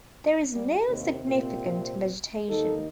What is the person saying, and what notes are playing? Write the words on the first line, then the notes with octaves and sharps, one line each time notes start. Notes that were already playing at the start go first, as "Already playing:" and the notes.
There is no significant vegetation.
G3
D#2 C3
A#2 C4
D#2 D#3 D#4 A4